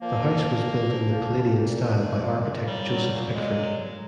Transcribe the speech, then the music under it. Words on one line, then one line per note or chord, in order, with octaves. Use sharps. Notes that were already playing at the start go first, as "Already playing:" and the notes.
The house was built in the Palladian style by architect Joseph Pickford.
A#2 F3 A#3
F3
A#2
A#2
F3
F3
A#2
A#2
F3
F3 G#3
A#2
A#2
F#3 G3
F#3
A#2
A#2 G#3
F#3
F#3